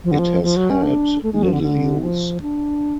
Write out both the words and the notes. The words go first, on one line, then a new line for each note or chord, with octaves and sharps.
It has had little use.
F3
D3
F3
F3
F#3
C#4
D4
A3
G#3
F#3
F3
D3
D3
F3
D4